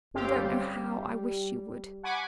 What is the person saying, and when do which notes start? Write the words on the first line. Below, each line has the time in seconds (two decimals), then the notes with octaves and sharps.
'You don't know how I wish you would.
0.14 G1 C4 C#4 G4 F5
0.36 G3
2.03 F#5 G#5 B5 C#6 D6